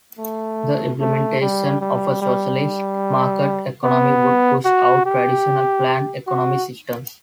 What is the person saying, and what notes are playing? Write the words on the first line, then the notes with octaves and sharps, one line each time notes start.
The implementation of a socialist market economy would push out traditional planned economy systems.
A3
A3
G3
G3
G3
B3
F#4
G4
F#4